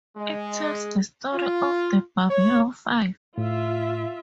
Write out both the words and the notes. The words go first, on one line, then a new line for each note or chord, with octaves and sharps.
It tells the story of the Balibo Five.
G#3
F4
C#5
A2 F4 E5